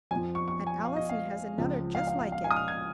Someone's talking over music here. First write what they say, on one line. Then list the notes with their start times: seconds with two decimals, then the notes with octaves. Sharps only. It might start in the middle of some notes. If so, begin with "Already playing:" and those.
And Allison has another just like it.
0.11 F2 F3 G#5
0.35 C#6
0.48 C#6
0.67 G#5
0.84 F5
0.96 D#5
1.09 F5
1.58 C#2 C#3 F3
1.95 F5
2.07 F5
2.19 F5
2.32 F5
2.44 G#5
2.51 D#6
2.56 F6
2.68 G#6